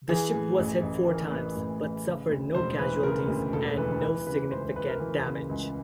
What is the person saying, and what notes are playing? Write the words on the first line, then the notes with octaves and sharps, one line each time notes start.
The ship was hit four times, but suffered no casualties and no significant damage.
E3 G#4
A2
A1
A1
E3 A#4
A2 B4
A1 B4
A1
C#3
D2
E1 C5
E3 B4
C#3 A#4
D2
E1 A4
E3 B4
E3 B4
C#3 B4
C#2 C5
B4
C#2 B4
A#4
E3 A#4
C#3
C#2